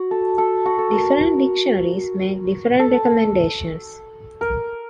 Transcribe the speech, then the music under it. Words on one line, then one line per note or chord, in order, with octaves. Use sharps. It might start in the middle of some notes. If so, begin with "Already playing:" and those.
Different dictionaries make different recommendations.
Already playing: F#4
A4
A4
F#4
A4
A#4
A4
A#4